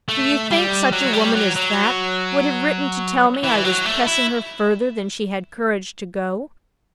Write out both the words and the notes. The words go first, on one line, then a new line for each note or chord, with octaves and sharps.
Do you think such a woman as that would have written to tell me I was pressing her further than she had courage to go?
A3
G3
F#3
G3
F#3
F#3
E3
F#3
A3
E4